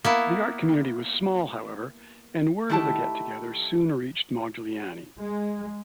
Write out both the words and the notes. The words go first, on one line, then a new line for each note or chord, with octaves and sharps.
The art community was small, however, and word of the get-together soon reached Modigliani.
A#3 B3 E4
D#3 A3 E4 G4 A5
G#3